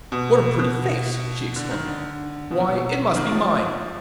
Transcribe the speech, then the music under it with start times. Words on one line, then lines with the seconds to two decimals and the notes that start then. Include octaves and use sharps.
'What a pretty face!' she exclaimed, 'Why, it must be mine!
0.12 B2
0.59 B2
1.56 D3
1.71 D#3
1.87 D3
2.51 B2
2.60 A#2
2.69 B2
3.16 D#3
3.32 F3